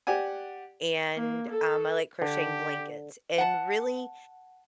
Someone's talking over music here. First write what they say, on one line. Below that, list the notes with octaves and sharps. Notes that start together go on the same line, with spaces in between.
and, um, I like crocheting blankets. And, really,
G4 D5 F#5 G#5
A#3
A4
D3 G4
F#5 A5